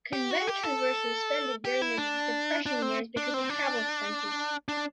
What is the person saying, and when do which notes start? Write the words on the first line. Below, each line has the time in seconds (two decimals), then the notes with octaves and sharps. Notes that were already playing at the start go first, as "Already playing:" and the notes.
Conventions were suspended during the Depression years because of travel expenses.
0.13 G4
0.31 F#4
0.47 G4
0.63 A4
1.65 G4
1.82 E4
1.98 D4
2.66 D4
2.82 C4
3.17 D4
3.34 C4
3.49 D4
4.69 D4